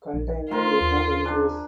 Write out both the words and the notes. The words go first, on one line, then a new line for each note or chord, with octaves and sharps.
Containment did not increase.
A#1
A3 F4 A#4 C5
D#2
D4 G#5